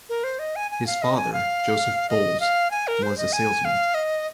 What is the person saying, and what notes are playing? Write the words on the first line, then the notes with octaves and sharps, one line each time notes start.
His father, Joseph Bolz, was a salesman.
A#4
C5
D#5
G#5
G#5
F5
D#5
G#5
F5
D#5
F5
G#5
A#4
C5
D#5
G#5
F5
D#5